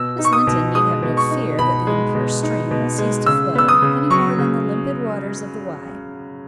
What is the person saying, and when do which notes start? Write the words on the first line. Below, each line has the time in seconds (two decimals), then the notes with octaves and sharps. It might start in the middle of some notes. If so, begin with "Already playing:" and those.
Miss Linton need have no fear that the impure stream will cease to flow, any more than the limpid waters of the Wye.
Already playing: B2 E6
0.19 D#4
0.25 C#6
0.33 D#6
0.47 B2
0.75 G#3 D#6
1.03 B2
1.17 C#6
1.31 D#4
1.59 B2 B5
1.87 G#3
2.15 B2
2.43 D#4
2.71 B2
2.98 G#3
3.26 C#3 E6
3.55 B3 E6
3.68 D#6
3.82 C#3
4.10 F#3 C#6
4.38 C#3